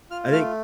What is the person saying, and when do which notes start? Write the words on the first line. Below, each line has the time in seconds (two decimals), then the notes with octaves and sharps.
I think,
0.10 F4 F6
0.31 A3 F6